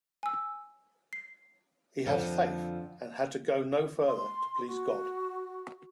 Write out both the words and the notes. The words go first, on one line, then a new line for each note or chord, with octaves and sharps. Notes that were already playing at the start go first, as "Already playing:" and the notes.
He had faith and had to go no further to please God.
G#5 E6
C7
F2 D3 F3
C6
F#4